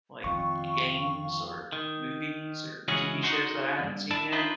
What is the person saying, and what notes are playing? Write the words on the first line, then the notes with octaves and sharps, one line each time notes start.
Like, g games, or movies, or TV shows that I haven't seen yet.
F2 D#3 C4 F5 C#6
D#3
C#2 E3 C#4 F#4 G#4
D#4 F#4 C5
E2 G2
D4 E4 D5 A5
D4 D#4 F4 B4 C5 E5